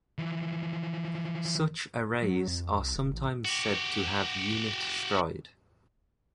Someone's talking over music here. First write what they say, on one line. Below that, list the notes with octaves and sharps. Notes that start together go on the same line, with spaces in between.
Such arrays are sometimes said to have unit stride.
E3 F3
F#3
F2
C2
D#1
A1
F#4 G4